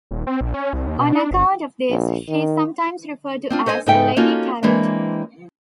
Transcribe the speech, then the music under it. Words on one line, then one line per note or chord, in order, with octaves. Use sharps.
On account of this, she is sometimes referred to as"Lady Tarot".
D#1
C4
A#1
C#4
C2
D#2
B2
D4
G1
A#1
D#3
C4 D4 F4
A4 C5 D#5 E5 G#5
G#2 C#3 D#4 A4 E5 G5
A#3 C#4 D#4 F4 F#4 A4
E3 G#3 A#3 C4 D4